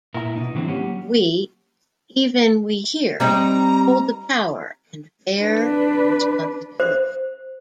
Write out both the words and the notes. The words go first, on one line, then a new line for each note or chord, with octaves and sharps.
We, even we here, hold the power and bear the responsibility.
A#2 E4 A#4
B2 D#4
A2 D3 E3 C4
F#3 A#3 C#4 F#4 G4
G3 C4 D#4 A#5
D4 B4
C5